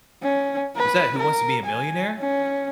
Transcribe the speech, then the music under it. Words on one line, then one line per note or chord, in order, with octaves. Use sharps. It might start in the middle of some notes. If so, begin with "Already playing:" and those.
was that, Who Wants to Be a Millionaire?"
C#4
B4
A#4
G#5
C#4